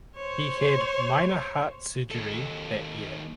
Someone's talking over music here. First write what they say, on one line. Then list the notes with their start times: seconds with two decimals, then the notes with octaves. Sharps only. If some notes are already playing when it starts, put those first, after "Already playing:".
He had minor heart surgery that year.
0.17 C5 C#5
2.11 D#2 A4